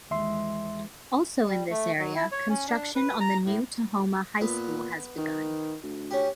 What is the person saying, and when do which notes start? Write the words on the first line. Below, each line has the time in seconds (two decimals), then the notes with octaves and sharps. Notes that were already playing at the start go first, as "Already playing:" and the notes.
Also in this area, construction on the new Tahoma High School has begun.
0.11 D#2 E3 G#3 E5 C6
1.48 G3
1.70 A3
1.99 F#3
2.15 E4
2.32 C#5
2.49 C#4
2.68 D4
2.95 B4
3.20 A#5
3.46 A2
4.41 A#2 B3
5.18 D#3
5.83 D2
6.11 C#4 G4